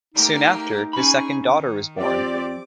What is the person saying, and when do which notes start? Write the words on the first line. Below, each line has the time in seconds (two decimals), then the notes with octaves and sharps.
Soon after, his second daughter was born.
0.14 A3 A#3 D#4 G4
0.93 C#4 G#4 B5 C#6
1.41 D#3
1.99 F2 C4 F4 G4 D5 D6